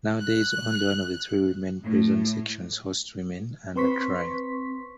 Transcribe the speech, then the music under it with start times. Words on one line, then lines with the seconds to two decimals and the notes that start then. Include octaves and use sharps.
Nowadays only one of the three women prison section hosts women under trial.
0.19 F#6
1.85 A2
3.76 C4 B4 C6 C#6 B6